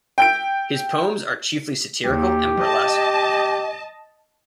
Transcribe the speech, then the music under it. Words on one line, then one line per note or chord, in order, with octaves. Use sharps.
His poems are chiefly satirical and burlesque.
G5 G6 D7
D#2 G4
D#5 A5